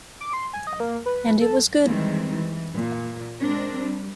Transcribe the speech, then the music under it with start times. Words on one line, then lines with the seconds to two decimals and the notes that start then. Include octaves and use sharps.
And it was good.
0.21 D6
0.33 C6
0.53 G#5
0.67 D#5
0.80 A#3
1.06 B4
1.41 A4
1.86 D#3 E3 G3 G#3 C4
2.32 E3
2.75 A#2
3.39 G#3 C4 D4 A#4
3.76 G3